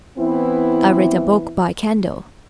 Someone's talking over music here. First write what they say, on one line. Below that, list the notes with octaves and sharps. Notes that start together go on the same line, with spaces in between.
I read a book by candle.
E3 B3 C4 E4